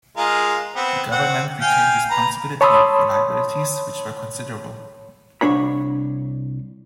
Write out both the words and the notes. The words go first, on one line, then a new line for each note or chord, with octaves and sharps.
The government retained responsibility for liabilities, which were considerable.
G#3 F4 A#4
B3 C4
C4 F#5
F5 G5 G#5
B4 A#5
C#5 A5 B5 C6 D#6 E6
C2 G#2 D4 C#5 B5